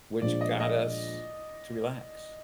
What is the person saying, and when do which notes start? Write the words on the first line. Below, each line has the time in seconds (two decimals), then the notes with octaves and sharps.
which got us to relax,
0.22 A#2 F3 G#3 D4 D5
0.41 D#5
0.60 D#5